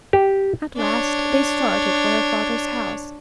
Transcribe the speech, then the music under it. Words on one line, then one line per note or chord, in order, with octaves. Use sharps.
At last they started for her father's house.
G4
D4 C#5